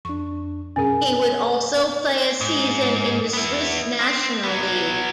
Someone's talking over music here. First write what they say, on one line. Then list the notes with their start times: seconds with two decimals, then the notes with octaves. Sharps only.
He would also play a season in the Swiss National League.
0.05 F2 D4 C#6
0.76 F#2 B2 C#4 G#4 A#4 G#5
1.31 C#5
2.41 G#2
3.33 B3 E4
4.01 C4
4.43 F#3 B3